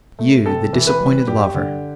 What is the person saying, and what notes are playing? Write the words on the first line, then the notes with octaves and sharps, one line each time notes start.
'You, the disappointed lover?
A3
C3 A4
E3
B4
G3
G2 G4
D3